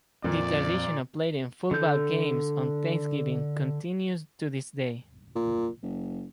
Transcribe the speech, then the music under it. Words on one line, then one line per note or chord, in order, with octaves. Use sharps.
The tradition of playing football games on Thanksgiving continues to this day.
F2 A#2 D5
D3 A4 G6
A#2
F#1